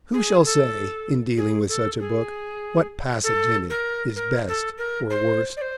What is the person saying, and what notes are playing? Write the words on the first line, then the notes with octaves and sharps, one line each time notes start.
Who shall say, in dealing with such a book, what passage in it is best or worst?
G#4
A4
G#4
A4
G#4
A4
A#4
A#4
A4
A#4
C5
D5
C5